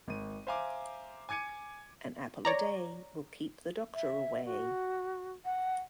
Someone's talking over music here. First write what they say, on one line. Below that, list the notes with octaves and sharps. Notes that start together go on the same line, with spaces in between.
An apple a day, will keep the doctor away.
G#1 D#7
C5 E5 F5 G#5 A#5 D6
G#5 D6 G#6 C#7 D#7
C#5 D5 A#5
E5
F#4
F#5